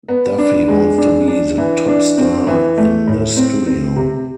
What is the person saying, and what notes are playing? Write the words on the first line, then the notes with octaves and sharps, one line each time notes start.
Daffy wants to be the top star in the studio.
B3
D4
G#3
D4
D4
E3
D4
C4
E3
A3
A2
C4
C4
C3